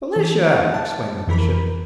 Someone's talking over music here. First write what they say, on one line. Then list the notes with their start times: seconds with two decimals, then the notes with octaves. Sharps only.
"Felicia!" exclaimed the Bishop.
0.16 E3
0.74 A5
1.28 F2 E3 A#4 B5